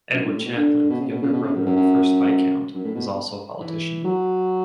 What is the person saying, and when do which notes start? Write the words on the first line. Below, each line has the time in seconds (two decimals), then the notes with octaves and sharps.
Edward Chaplin, younger brother of the first Viscount, was also a politician.
0.13 F#2
0.24 G2
0.35 A2
0.45 B2
0.56 D3
0.89 B2
1.00 C#3
1.10 B2
1.22 C#3
1.33 B2
1.43 C#3
1.54 F#2
1.65 F#2
1.76 F#2
2.74 F#2
2.84 A2
2.95 B2
3.60 E3
4.04 F#3